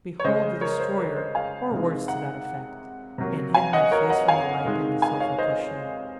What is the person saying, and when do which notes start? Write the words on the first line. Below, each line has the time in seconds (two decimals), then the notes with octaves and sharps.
Behold the destroyer!'--or words to that effect--and hid my face from the light, in the sofa cushion.
0.20 C#5
0.24 C#3 G#3 C5 D#5
0.61 A#4 C#5
0.80 C5
0.98 A#4
1.16 C5
1.35 F5 G#5
1.71 C3 D#3 G#3
2.08 F#5 A#5
3.18 C3 F#3 A#3
3.54 F5 G#5
3.73 D#5 F#5
3.92 A#4 C#5
4.10 D#5 F#5
4.28 F5 G#5
4.65 C3 D#3 G#3
5.02 F5 G#5
5.20 C#5 F5
5.38 C5 D#5